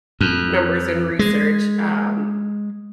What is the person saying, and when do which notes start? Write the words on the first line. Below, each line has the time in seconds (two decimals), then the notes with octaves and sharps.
numbers and research, um,
0.21 F2
1.19 G#3